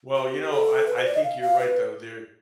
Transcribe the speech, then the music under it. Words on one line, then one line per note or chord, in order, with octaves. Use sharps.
Well, you know, I I think you're right though, there
G4
A4
B4
C5
D5
D#5
F5
F5
B4